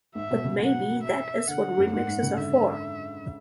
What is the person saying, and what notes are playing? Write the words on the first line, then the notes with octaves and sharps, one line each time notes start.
But maybe that is what remixes are for.
G#2 E5
B2
C#3
F#3 F#5
E5
D3 F#5
F#2
G#2 F#5
G#2
C#3
D3 E5